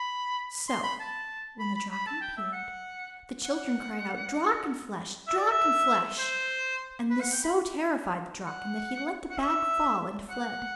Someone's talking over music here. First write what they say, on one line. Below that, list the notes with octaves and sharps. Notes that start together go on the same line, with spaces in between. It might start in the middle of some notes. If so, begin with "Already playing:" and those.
So, when the Draken appeared, the children cried out: 'Drakenflesh! Drakenflesh!' and this so terrified the Draken that he let the bag fall and fled.
Already playing: B5
C6
B5
A5
B5
B5
B5
A5
G5
E5
F#5
F#5
E5
D5
E5
C5
B4
F#5
G5
B5
F#5
F#5
E5
F#5